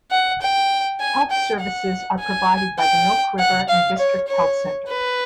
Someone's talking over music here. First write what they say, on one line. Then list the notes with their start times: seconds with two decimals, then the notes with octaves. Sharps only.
Health services are provided by the Milk River and District Health Centre.
0.11 F#5
0.42 G5
1.00 G#5
1.31 G5
1.60 F#5
2.20 G#5
2.79 G5
3.39 F#5
3.69 F5
3.98 C#5
4.28 C#5
4.88 B4